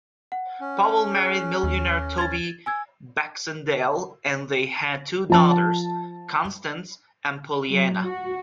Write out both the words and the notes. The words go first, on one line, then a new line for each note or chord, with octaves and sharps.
Powell married millionaire Toby Baxendale and they had two daughters, Constance and Pollyanna.
F#5
C#4
G#4 F#6
D#2
G#6 A6
G#5 E6 G#6
F3 A5
F#3
F#4